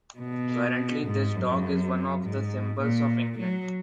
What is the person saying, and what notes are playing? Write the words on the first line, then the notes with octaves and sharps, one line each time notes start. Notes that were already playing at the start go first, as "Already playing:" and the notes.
Currently, this dog is one of the symbols of England.
B2
G#2
F#2
G#2
A#2
F#3